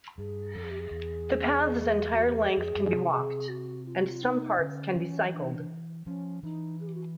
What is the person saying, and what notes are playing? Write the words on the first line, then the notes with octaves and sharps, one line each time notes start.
The path's entire length can be walked, and some parts can be cycled.
G2 G#4
F2 A4
G#4
G4
G#4
E2
F#4
G4
G#4
F2
F#2
C3
G#4
F#4
F4
F#4
F4
D#4
D3 C#4
E3
D4
D#4
D4
F3 C#4
E3 D#4
G#4
G4
F#4